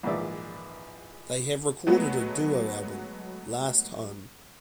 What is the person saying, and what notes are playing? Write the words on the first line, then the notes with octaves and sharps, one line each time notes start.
They have recorded a duo album, "Last Home".
A#1 G#2 D#3 E3 D5 E5
F#3 G#3 A3 B3